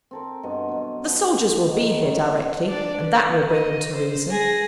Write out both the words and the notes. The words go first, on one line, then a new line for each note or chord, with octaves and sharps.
'The soldiers will be here directly, and that will bring them to reason.'
C4 A4 A#4
G2 B2 D#5 F#5
B2 F#3
F3
D#3 B3
F#2 C3 D#3
D4 D5
B4
D#5
C5
G#4 A#6